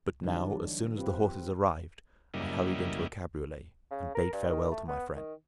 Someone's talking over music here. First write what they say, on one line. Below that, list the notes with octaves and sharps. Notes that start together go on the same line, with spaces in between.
But now, as soon as the horses arrived, I hurried into a cabriolet, and bade farewell to my friend.
D3 E3 F#3 G3 D4 D#4
C4 F4 G4 B4
F#2 C#3 G3 A#3 E4 D#5
C#3
A#4
G2
D#3
A3
B3
D#3